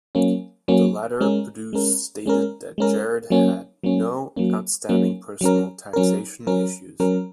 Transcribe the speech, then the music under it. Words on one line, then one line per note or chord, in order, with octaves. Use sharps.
The letter produced stated that Gerard had no outstanding personal taxation issues.
F#3 A#3 C#4
F#3 A#3 C#4
G#3 C#4 A#4
G#3 C#4 A#4
G#3 C#4 A#4
G#3 C#4 A#4
F#3 A#3 C#4
F#3 A#3 C#4
F#3 A#3 C#4
F#3 A#3 C#4
F#3 C#4 A#4
F#3 C#4 A#4
F#3 C#4 A#4
F#3 C#4 A#4